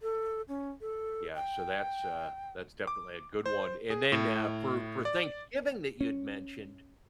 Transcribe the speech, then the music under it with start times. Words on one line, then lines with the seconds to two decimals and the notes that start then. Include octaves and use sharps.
Yeah, so that's, uh that's definitely a good one and then, uh, for for Thanksgiving that you had mentioned,
0.02 A4
0.48 C#4
0.81 A4
1.35 G5
2.87 D6
3.46 C5
3.90 G#4
4.12 A2
5.05 D5
6.01 C#4